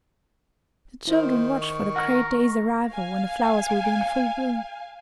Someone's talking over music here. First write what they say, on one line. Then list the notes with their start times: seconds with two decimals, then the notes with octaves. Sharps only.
The children watch for the great day's arrival when the flowers will be in full bloom.
1.07 D#3 E4 C5
1.61 C#6
1.96 A#4 F#5
2.89 F5 G#5